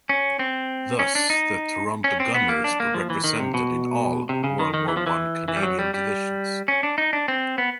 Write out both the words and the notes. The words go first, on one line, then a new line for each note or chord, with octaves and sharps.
Thus the Toronto gunners were represented in all World War One Canadian divisions.
C#4
C4
C#4
D4
D#4
C#4
C4
B3
A#3
D4
A#3
F3
E3
D#3
C3
B2
C3
C#3
D#3
D#3
E3
F3
E3
E3
G3
F#3
G3
G3
C#4
D4
D#4
D4
C4
B3